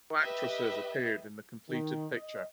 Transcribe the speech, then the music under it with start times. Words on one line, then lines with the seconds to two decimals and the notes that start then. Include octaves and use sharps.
No actresses appeared in the completed picture.
0.20 G4 B4 D#5 E5
1.69 D#3
2.12 D#5